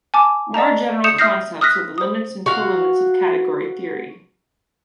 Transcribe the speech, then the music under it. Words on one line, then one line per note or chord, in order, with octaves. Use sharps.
More general concepts are the limits and colimits of category theory.
G#5 A5 D6
D5 D#5 A5 A#5
D#6 G6 C#7 E7 F7
E5 D#6 F6 G6 A#6 C7
D#6 F6 F#6 A#6 B6
C5 D#6
F#4 F5